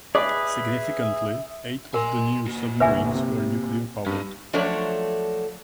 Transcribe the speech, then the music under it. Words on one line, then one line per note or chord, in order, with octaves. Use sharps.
Significantly, eight of the new submarines were nuclear-powered.
G#4 B4 D5 E5
A#4 G#5 C6
A#3 F#4
G1 C2 B4 E5 G#5
C3
G2 C#4 D#4
F3 F#3 A3 D4 C#5